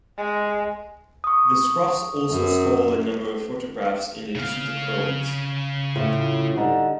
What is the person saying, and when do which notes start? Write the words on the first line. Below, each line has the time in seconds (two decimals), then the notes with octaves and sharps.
The scruffs also stole a number of photographs in addition to clothes.
0.17 G#3
1.24 C#6 D#6
2.31 F#2
4.35 C#3 F5
5.96 A2 F4
6.56 D3 G3 D#4